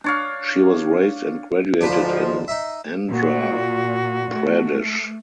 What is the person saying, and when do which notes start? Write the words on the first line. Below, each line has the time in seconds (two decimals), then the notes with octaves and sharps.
She was raised and graduated in Andhra pradesh.
0.04 D4 C#5 F5
1.81 D2 G#2 F3 D4 B4 C5
2.48 D#4 E5
3.10 A#2 F#4
4.32 A3